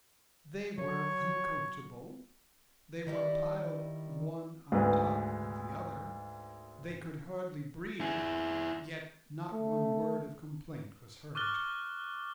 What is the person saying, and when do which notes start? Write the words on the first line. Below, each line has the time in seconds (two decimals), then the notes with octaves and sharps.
They were uncomfortable, they were piled one on top of the other, they could hardly breathe; yet not one word of complaint was heard.
0.78 F#3 C#5
3.07 D#3 G3 D#4 E4
4.72 D2 G#2 B4
8.00 E4 G#4
9.53 A3
11.35 C#6 D6 F6 F#6 A6 G7